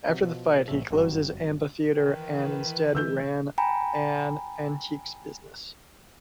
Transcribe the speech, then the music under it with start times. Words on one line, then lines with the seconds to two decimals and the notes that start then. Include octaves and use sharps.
After the fight he closed his amphitheatre, and instead ran an antiques business.
0.09 C3 F#3
0.23 B2 F3
0.68 A#1 A#2 F3 C#4 E5 A5
0.91 G1 F#2 G3 C4 F#4 A#5
1.92 D#3 E3 B4
2.95 D3 E3 G#3 E6 G6
3.58 G5 G#5 A#5 B5